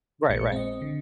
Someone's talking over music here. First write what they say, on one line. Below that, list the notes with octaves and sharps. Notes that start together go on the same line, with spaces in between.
Right, right.
A#1 A#2 G#3 C#7
C4 D#5
D3